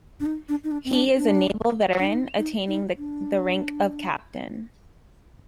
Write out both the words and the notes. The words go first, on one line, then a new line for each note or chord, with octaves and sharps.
He is a naval veteran, attaining the rank of captain.
D4
D#4
D4
D#4
D4
C4
D4
D4
D4
D#4
D#4
D#4
D4